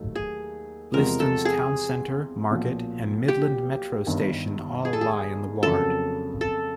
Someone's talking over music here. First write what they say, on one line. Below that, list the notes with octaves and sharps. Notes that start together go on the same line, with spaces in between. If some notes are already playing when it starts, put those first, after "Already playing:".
Bilston's town centre, market, and Midland Metro station all lie in the ward.
Already playing: D#2 D#3 F#3 A3
G#4
E2 C3 F3 G#3 C4 A#4
A4
G#4
B1 A#2 F3
G4
G1 G2 D#3
G#4
A4
G#4
F2 C#3 F#3 A#3 A4
A4